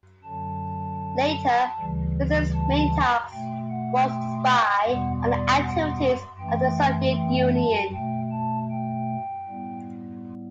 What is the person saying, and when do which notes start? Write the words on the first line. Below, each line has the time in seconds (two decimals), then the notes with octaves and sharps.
Later, Wisner's main task was to spy on the activities of the Soviet Union.
0.23 F#2 D3 F#3 A5
1.78 D2 C#3 E3 G3
2.54 A5
3.31 B2 A3 G5
3.70 F#5
4.08 G5
4.47 G5
4.85 E2 B2 G3 B3 F#5
5.24 D5
5.62 F#5
6.39 F#2 E3 A3 G5
7.16 G5
7.55 A5
7.93 B2 A3 G5
8.32 A5
8.71 G5
9.48 A2 G3 B3